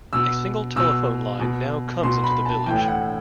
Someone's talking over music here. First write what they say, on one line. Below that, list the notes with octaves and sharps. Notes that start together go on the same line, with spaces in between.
A single telephone line now comes into the village.
B2 E6
B2 E6
B2
B2 C6
B5
A5
A2 E3 G5
F#5